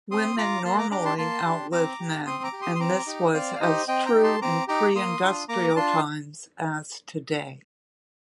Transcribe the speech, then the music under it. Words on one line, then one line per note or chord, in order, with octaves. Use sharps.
Women normally outlive men, and this was as true in pre-industrial times as today.
C4 C6 D#6
F4 A#5 D6
A#3 A5 C6
A#5 D6
D4 G4 A#5 D6
A5 C6
A#3 A5 C6
D4 G4
C4 A#5 D6
G4
C4 C6 D#6
A#5 D6
G4
C6 D#6
C6
C4 A#5 D6
D#4 G4
C4 D5 F5
F5
D#4 G4 C5 D#5
C4 D#5 G5
G5 A#5
D#4 G4
A5 C6
C4 A#5 D6
D#4 G4 A#5 D6
A#3 C6 D#6
D4 F4
A#3 A#5 D6
D6
D4 F4 A5 C6